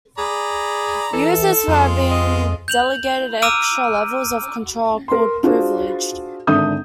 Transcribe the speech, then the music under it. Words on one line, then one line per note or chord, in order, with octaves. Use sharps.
Users who have been delegated extra levels of control are called privileged.
G#4 D5 A#5 B5
E3 A4
F2 G#3 F4
D#5
G6 F7 F#7
A#5 D6 E6 F6 D7 D#7
A#4 C6
D4 F4 F#4 G#4 C5
G#1 D3 D4 E5 D#6 G6